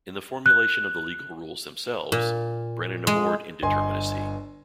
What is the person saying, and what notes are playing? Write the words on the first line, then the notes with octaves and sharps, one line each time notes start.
In the formulation of the legal rules themselves, Brennan abhorred indeterminacy.
F#6
A#2
G#3
G1 D#5 G#5 C6